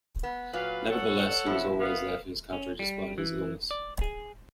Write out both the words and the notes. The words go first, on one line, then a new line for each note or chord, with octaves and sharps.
Nevertheless, he was always there for his country despite his illness.
B3
A#2 F#3 B4 F5
A4 C#5 F#5
B2 F3 E4
B3 F5
C#4
G3
E3
D5
G#4